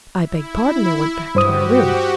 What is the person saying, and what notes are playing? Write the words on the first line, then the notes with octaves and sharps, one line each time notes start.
I begged pardon and went back to my room.
E4
G2 F#4 G4 C5 D#6